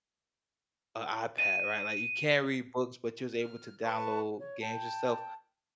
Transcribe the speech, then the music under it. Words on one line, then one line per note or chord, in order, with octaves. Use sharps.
a iPad, right, like, you can't read books, but you was able to download games and stuff,
D#7
F6
B4 A5 B5 C#6
C#5
G5 A5